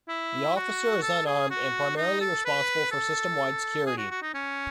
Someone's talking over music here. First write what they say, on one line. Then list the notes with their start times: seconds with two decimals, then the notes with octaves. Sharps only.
The officer is unarmed and primarily responsible for system wide security.
0.08 E4
0.56 F#4
1.02 A4
1.27 G#4
1.50 F#4
1.97 D#4
2.21 A4
2.45 B4
2.92 A4
3.86 G#4
3.98 F#4
4.11 F#4
4.22 D#4
4.34 C#4